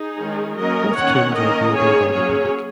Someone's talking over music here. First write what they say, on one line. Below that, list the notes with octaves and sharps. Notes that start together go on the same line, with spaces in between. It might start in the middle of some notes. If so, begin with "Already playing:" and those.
Both tombs are viewable by the public.
Already playing: D#4 G#4
D#3 G#3 C#4
F#3 A#3 C#4 A#4 D#5
D#3 A#3 C#4 C#5 F#5
D#3 A#3 C#4 A#4 D#5
D#3 A#3 C#4 G#4 C#5
F#3 A#3 C#4 G#4 C#5